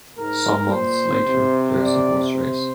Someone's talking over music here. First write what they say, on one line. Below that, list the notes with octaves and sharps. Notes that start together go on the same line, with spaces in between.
Some months later, there is a horse race.
G#2 A#4
A#2 C5
C3
D5
C5